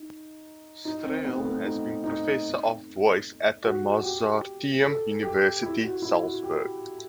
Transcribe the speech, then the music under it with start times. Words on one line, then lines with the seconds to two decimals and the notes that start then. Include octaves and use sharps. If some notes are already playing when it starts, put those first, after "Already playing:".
Strehl has been professor of voice at the Mozarteum University Salzburg.
Already playing: D#4
0.85 D#4
1.04 C4
1.25 B3
1.35 A3
1.44 B3
1.65 D#4
2.04 D#4
3.64 F#4
4.03 G4
4.83 A4
5.23 G4
5.63 E4
5.83 F#4
6.02 E4
6.22 F#4
6.43 G4